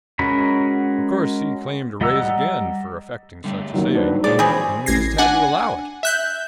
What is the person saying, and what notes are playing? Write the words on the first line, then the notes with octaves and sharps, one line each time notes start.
Of course he claimed a raise again for effecting such a saving, and we just had to allow it.
G#3 C#4 F#4 A#4 B5
G3 D#5 F#5 A#5 E6
D3 G3 A3
D#3 F#3 A#3
D4 B4 C5
A#2 G#3 D4 G#4 C#5 D5
E3 F3 C4 F#4 G#4 C5 B5
A1 G#6 A#6 C7
D4 F#5 G#5
E5 F#6 G6